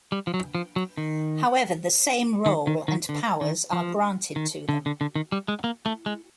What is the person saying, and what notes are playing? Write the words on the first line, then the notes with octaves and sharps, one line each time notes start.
However, the same role and powers are granted to them.
G3
F3
F#3
F3
F#3
D#3
D#3
D#3
D#3
D3
D#3
F3
D#3
D3
D3
D3
D#3
G3
G#3
A#3
A3
G#3